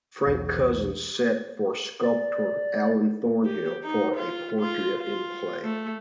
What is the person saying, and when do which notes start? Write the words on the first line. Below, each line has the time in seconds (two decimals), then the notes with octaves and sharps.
Frank Cousins sat for sculptor Alan Thornhill for a portrait in clay.
0.26 B1 E2 B2
2.03 D5
3.45 G4
3.84 D#4
4.16 F4
4.61 F4
4.98 F4
5.64 A3